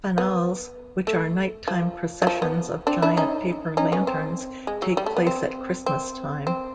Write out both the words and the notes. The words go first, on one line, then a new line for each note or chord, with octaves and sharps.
"Fanals", which are night-time processions of giant paper lanterns, take place at Christmas time.
B3
A3
F3
F#3
F3
B3
C4 D4
D4 E4
C#4 D#4
C#4 D#4
B3 C#4
C4
G#3
F#3
G3
A3
B3
C4
C4
C4